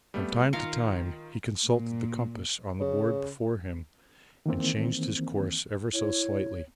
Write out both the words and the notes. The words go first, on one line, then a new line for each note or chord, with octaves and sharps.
From time to time he consulted the compass on the board before him, and changed his course ever so slightly.
G3 A3 B3
D#3 F4 A#4 F5 C#7
A#2
C#3
D#3 E3 A#3 C4
E4 C#5